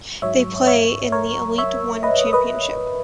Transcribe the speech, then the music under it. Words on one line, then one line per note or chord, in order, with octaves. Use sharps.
They play in the Elite One Championship.
G#2 F#3 C#5 E5
C#5 E5
A#4 C#5
C#5 E5
B4 D#5
B4 D#5